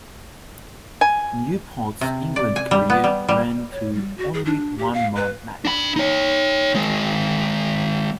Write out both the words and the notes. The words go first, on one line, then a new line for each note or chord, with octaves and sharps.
Newport's England career ran to only one more match.
G#5
C3
D5
G#5
G3
B3
G3
G3
C#5
G3
F#4
G#4
D4
G4
F5
B4
D4 B5
D#4 C#5
G#3 C4